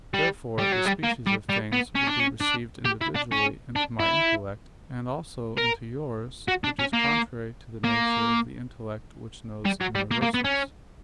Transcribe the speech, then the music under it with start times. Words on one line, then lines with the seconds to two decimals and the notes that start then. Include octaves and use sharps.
Therefore the species of things would be received individually into my intellect, and also into yours: which is contrary to the nature of the intellect which knows universals.
0.14 G3
0.59 G3
0.73 F#3
0.86 G3
1.04 A#3
1.27 G3
1.49 G3
1.72 B3
1.95 C#4
2.07 D4
2.20 C#4
2.41 D4
2.86 G4
3.01 E4
3.15 D4
3.32 C#4
3.76 D4
4.00 E4
5.58 A#4
6.48 F#4
6.64 D4
6.79 C#4
6.93 A#3
7.84 A#3
9.66 G3
9.81 F#3
9.95 G3
10.11 A#3
10.22 A#3
10.34 B3
10.44 C#4